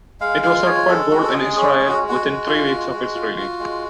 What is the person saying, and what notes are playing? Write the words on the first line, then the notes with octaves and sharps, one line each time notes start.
It was certified gold in Israel within three weeks of its release.
G#3 F5
F4 F5
G#3 C#5
G#3 A4
G#3 F#4
A4
G#3 G#4
C#4 G#4
G#3 G#4
F#4
G#3
F#4
G#3
F4
G#3
G#3
F4
F4
G#3